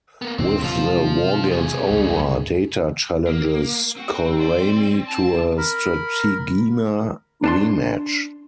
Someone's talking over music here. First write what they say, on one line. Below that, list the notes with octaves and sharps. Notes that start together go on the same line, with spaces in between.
With the wargames over, Data challenges Kolrami to a Strategema rematch.
A#3 B3
D#2 A#2 C4 D4
C3 F3 F#3 G#3 F4
B1 G#4
C#2 G2
A#3
C4 F#4
C5 D5
A5
A#4 B5
D4 A5 C6